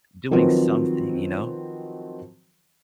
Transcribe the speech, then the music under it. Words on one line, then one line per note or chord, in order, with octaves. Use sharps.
doing something, you know,
D#3 F3 F#3 C4 B4